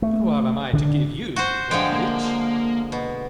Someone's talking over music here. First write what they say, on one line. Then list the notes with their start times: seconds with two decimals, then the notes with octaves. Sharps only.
But what am I to give you, old witch?
0.02 A3
0.73 D3 D4
1.36 F#4 C5
1.71 D3 F3 G#3 G5
1.92 A#3
2.92 B2